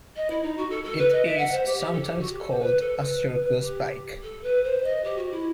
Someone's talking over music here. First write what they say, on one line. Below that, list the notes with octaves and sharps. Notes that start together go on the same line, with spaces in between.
It is sometimes called a "circus bike".
D#5
E4
D#4
F#4
A4
A4
B4
D#5
E5
F#5
C5
G4
G4
A4
G4
F#4
G4
A4
C5
B4
A4
B4
B4
B4
G4
A4
B4
C5
D#5
G4
F#4
E4